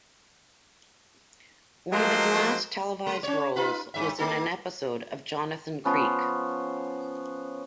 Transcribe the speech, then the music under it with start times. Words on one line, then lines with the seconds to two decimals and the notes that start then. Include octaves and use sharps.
One of his last televised roles was in an episode of "Jonathan Creek".
1.93 F3 F#3 G#3 A#3 D#4 C5
3.07 G#3
3.23 C#4 C#5
3.56 D#4 F4 B4
3.94 G2 E5
4.19 A3 D#4 A4
5.85 F3 B3 C#4